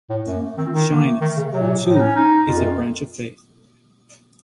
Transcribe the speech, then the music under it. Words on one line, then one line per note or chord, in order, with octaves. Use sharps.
Shyness, too, is a branch of faith.
A2
F#2 A3
A#3
A3
D#3 C4
F4
D#3 D#4
A#3
A3
D#3 A3
C#3
C3 F#3
A#2
C3
A2 F3
D#4
C#4
D#4
F2 F4
F#2
F2